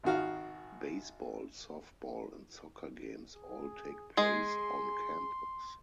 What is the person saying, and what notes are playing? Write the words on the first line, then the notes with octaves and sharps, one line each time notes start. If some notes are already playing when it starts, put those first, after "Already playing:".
Baseball, softball and soccer games all take place on campus.
G#1 D#3 F#4 F5
G#4
G#3 G#4 C6